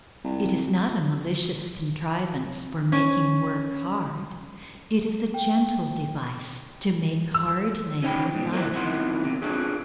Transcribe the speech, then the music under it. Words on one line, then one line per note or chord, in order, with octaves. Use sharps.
It is not a malicious contrivance for making work hard; it is a gentle device to make hard labor light.
C2
C#4
G5
E6
C#4 D#4 C#5 F#5 G5 B5
G#2 B2
A3 A#3 E4 G4 B4 C5
F2 D#3 B3 E4 F#5 C6
E2 C3
D4 F4 G#4 A4 B4 C#5